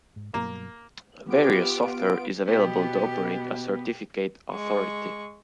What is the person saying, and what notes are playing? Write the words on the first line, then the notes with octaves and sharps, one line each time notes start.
Various software is available to operate a certificate authority.
G#2
G2 B2 F#3 A#3
B3 F4 G4 D7
B2 B3 G4
G#3 C#6